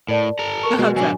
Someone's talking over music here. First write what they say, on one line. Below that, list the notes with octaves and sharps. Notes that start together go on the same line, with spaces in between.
A hookup.
A2 A#4 D5 A5
A4 A#5
A#4 C#6
B2 G#3
F#3 D4 G#5